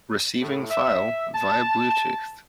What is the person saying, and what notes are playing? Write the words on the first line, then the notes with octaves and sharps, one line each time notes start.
Receiving file via blue tooth.
A2
E5
A5